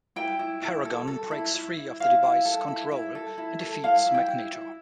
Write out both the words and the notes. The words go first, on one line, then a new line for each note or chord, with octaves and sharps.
Paragon breaks free of the device's control and defeats Magneto.
E4 G5
E4
E4
A4
A4
E4
E4
E4
E4 F5
E4
A4
E4
E4
A4
E4
A4
E4 F5
E4
G5
E4
E4